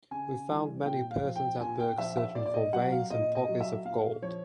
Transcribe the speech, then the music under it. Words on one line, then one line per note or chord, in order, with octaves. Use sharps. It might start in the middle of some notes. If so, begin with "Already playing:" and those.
We found many persons at work searching for veins and pockets of gold.
C#3 G#5
E3 G3
A#2 G5
F5
F3
G5
A#2 G#5
G5
F3 E5
E5
A#2 D5
D5
D#5
F#3 F#5
F5
A#2 D#5
D#5
F#3
E5
A#2 F5
F3 C#5